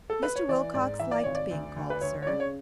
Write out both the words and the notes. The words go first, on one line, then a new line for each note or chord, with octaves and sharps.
Mr. Wilcox liked being called sir.
A4
B4
C#5
E3 D5
G#2 D5
E3 E5
D5
G#1 C#5
D5
D2
D2
B4
D2 C#5
C#5
C#3 D5
C#5